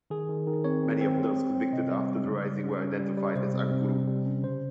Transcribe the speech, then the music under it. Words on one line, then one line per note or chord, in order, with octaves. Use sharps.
Many of those convicted after the rising were identified as "Anguru".
D#3 G#4
D#3
D#3
C4 C#5
C4
C4
C4
C4
C4
C3 D#5
G3
C#5
G3
C#3
G3
C#4
C#4
G3
G3
C3 C5
C3
C3
C3
G3
C#4
C#3 C5